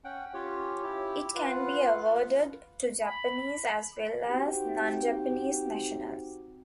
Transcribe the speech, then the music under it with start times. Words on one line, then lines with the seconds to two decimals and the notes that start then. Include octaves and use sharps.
It can be awarded to Japanese as well as non-Japanese nationals.
0.04 C#4 F#5 G5
0.34 C#4 F4 G4 C#5
0.82 E4 G4
1.35 F4 B4 F5 F#5
3.01 B5
4.28 C4 D#4 F#4 G4